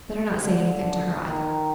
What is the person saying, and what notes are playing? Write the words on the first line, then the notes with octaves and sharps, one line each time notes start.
"Better not say anything to her either."
D3
D#3